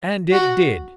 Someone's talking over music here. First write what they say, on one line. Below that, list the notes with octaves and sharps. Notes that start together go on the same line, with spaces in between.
And it did.
F#4